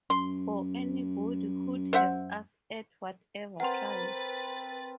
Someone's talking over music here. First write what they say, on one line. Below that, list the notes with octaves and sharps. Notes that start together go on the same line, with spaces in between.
For anybody who'd have us-at whatever price.
F#2 C6
C5 E5 F#5
C4 A#4 B4 F#5 C6 A6